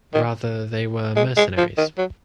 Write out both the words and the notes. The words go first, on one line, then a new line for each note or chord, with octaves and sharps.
Rather they were mercenaries.
D#3
G#3
G#3
F3
D#3
F#3